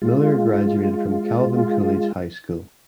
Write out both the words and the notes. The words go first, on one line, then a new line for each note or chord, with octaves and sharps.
Miller graduated from Calvin Coolidge High School.
G#3 F4